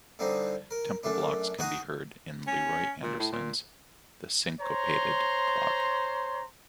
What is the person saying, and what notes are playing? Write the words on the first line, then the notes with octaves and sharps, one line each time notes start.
Temple blocks can be heard in Leroy Anderson's "The Syncopated Clock".
G2 D3 C4 D#4
A#4
F#2 A3 D4
D#4 F#4 G#4 F#5 A#5 D#6
C#4
A#2
A2
A#2
C5 C#5 A#5 C6